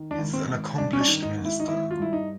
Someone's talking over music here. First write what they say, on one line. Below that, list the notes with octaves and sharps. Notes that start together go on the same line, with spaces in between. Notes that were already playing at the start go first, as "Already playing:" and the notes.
He is an accomplished minister.
Already playing: D#3
D4
G#1
C4
G#1
G2 D4
C#4
D4
D#3
D#4
G#1
E4
D#4
G#1 E4
F4
G2 E4
D#4